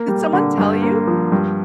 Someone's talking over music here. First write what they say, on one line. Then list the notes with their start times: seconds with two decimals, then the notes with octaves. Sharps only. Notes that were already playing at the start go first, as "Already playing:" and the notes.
Did someone tell you,
Already playing: A#3
0.08 G3
0.33 D3
0.58 G2
0.82 A#3
1.07 F3
1.32 G2